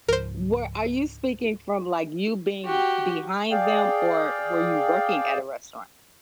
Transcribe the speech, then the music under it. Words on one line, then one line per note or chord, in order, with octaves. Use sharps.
where are you speaking from, like, you being behind them, or were you working at a restaurant?
C#2 G#2 F3 A#4 C5
F#4 G4 G5
G#4 D5 F5 G5